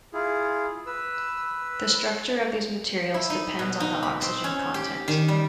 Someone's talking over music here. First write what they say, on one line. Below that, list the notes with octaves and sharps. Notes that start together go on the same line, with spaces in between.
The structure of these materials depends on the oxygen content.
E4 F4 G#4
B4 E6
E4
D#4
B2
D#4
B5
C4
C#4
G4
D#3
G3